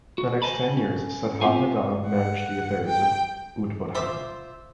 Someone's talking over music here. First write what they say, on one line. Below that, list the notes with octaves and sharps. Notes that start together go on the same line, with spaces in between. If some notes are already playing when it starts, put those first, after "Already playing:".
For the next ten years Shuddhananda managed the affairs of Udbodhan.
F#4
C5 D#5 G#5 A5 B5
C#4
B3 C4 F4 C5 F5 G#5
F#5
G5
F4 C5 E5 D6